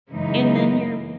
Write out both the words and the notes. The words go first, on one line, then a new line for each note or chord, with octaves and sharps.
And then you're
F#2 C#3 E3 G#3 D#4